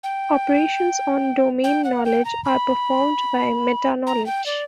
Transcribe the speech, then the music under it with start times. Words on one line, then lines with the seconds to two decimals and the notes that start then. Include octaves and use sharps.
Operations on domain knowledge are performed by meta-knowledge.
0.03 G5
1.64 G5
1.84 F#5
2.05 G5
2.25 A#5
2.45 B5
4.07 A#5
4.26 G5
4.46 D5